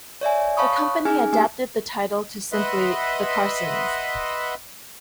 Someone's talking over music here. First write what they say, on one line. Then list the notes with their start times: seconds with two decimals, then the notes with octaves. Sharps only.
The company adapted the title to simply 'The Carsons'.
0.21 C#5 D5 E5 G#5
0.57 C#5 F5 A5 B5 C#6 D#6
0.77 F#6
1.05 C#4 D#4 G#4 G#5 F6
1.32 A3 A#3 G4 G#5
2.53 B4 D#5 E5 F#5 B5 C6